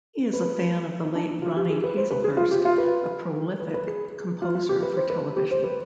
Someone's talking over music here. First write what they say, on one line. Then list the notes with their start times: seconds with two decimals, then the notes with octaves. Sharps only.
He is a fan of the late Ronnie Hazlehurst, a prolific composer for television.
0.33 B4
1.05 D#4
1.15 D4
1.28 D4
1.42 F4
1.56 G4
1.70 G#4
1.84 B4
1.97 C5
2.11 B4
2.24 G#4
2.37 F4
2.51 G4
2.65 F4
2.78 B4
3.60 B4
3.74 B4
3.87 G#4
4.42 F4
4.55 F4
4.69 G4
4.83 B4
4.97 C5
5.10 B4
5.37 G4
5.51 C5
5.64 B4